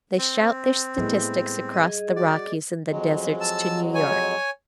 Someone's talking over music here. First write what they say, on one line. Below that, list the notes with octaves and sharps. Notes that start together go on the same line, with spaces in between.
They shout their statistics across the Rockies and the deserts to New York.
C4
A2 G3 G#3 B3
G#4 D#5
F#4 D5
F2 F#3 G#3
A5 E6
C#5 G#5